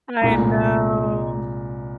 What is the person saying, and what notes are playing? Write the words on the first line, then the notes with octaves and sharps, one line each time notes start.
I know.
C2 A#2 G#3 A#5